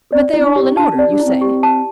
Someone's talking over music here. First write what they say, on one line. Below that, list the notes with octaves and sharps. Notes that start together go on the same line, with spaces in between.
"But they are all in order, you say?"
C4 D5
E4
C4
D4
G4
C4
D4 A5
C4
D5
D4
E4
C4
G4
A5